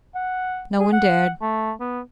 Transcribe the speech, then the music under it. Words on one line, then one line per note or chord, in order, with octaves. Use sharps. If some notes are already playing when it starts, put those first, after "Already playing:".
No one dared.
F#5
G#4
F#5
A3
B3